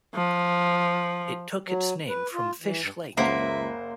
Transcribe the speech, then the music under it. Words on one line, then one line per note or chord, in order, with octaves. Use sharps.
It took its name from Fish Lake.
F3
F#3
B4
F4
E3
G2
F#1 C#2 A#3 C5 E5 F#5